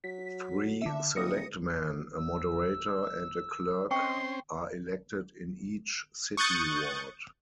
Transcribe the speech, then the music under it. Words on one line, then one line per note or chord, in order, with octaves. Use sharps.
Three selectmen, a moderator, and a clerk are elected in each city ward.
F#3 B6
D3 E5
D#1 D#6 A#6 C#7
E6
C4 C#4 C5 D#5 G5 C6 C#6
C#6 D#6 F#6 G6 A6 C#7